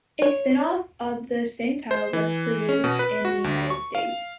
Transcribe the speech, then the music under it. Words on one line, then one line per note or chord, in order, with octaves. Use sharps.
A spinoff of the same title was produced in the United States.
C#5
C5
E3
C#4
B2
B4
F#4
D2
C#6
F5